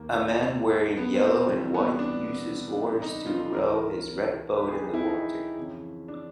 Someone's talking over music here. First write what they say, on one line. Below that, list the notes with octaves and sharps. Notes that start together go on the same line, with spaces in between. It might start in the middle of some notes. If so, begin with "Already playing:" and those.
A man wearing yellow and white uses oars to row his red boat in the water.
Already playing: D#2 D#3 A#3
B3
C4
C2 C3 E3 G3
B3
D4
D#4
F4
C#2 C#3 E3 A#4
B4
G4
G#4
D#4
E4
D#4
F2 C#3 E3
D4